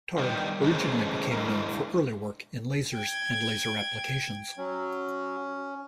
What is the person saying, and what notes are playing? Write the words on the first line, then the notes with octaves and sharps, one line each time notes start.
Targ originally became known for early work in lasers and laser applications.
D#3 G3 B3
C#3 E3 G#3 A3 C4
D3 G#3 E4 A#4
G5 G#6
F#3 C#4